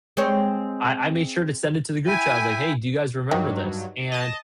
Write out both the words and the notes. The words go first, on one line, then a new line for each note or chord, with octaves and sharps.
I I made sure to send it to the group chat, I was like, "Hey, do you guys remember this?" And
G#3 C4 C#5
E4 E5 G5 G#5
G2 D#3 F#3
D#5 A5